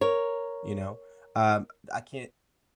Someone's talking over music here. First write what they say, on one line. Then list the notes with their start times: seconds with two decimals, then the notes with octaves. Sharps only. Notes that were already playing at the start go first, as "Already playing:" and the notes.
you know? Um, I can't
0.01 A#4 C#5